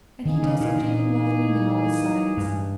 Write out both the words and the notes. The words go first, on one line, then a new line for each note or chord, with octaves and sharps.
"And he doesn't even love me now, besides."
D#3 E3 A#3 D#4 G#4
C#3
A#2
A#2
G2